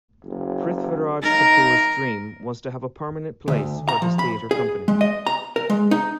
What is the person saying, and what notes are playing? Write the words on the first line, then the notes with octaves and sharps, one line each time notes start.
Prithviraj Kapoor's dream was to have a permanent place for his theatre company.
F#1
D#4 A#4
D2
A#5
F3
B5
G#4
G#3
D#5
A#5
A#4
G#3
D#4